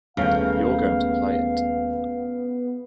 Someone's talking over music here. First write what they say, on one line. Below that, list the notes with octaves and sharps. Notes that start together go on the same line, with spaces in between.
You're going to play it.
D#1 C#3 A3 B3 A#4 F5 G6